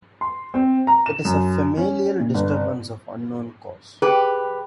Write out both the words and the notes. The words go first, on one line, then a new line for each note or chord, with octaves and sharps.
It is a familial disturbance of unknown cause.
C6
C4
A#5
E7
F#2
C#4
A#2
G1
G4 G#4 B4 G5